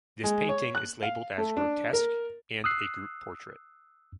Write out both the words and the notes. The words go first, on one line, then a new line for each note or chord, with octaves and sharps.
This painting is labelled as "grotesque" and "a group portrait".
G#3
C#5
F#6
F5
A3
D4
A#4
D#6 E6 F#6 C7